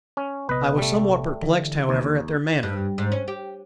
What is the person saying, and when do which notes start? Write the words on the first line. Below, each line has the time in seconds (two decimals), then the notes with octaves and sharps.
I was somewhat perplexed, however, at their manner.
0.17 C#4
0.49 A#1 C3 B3 B4 D#5
0.78 G3 A3
1.42 D3 E3
1.89 D#2
2.63 G2
2.98 G#2
3.12 C#4
3.28 G4